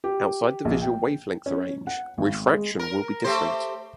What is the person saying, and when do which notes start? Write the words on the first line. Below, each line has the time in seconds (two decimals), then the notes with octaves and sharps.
Outside the visual wavelength range, refraction will be different.
0.04 G4
0.65 A#1
0.81 G5
1.46 C#4
1.87 F#5
2.18 G#1
2.52 G#3
2.79 A#4
3.24 A3 G4 C5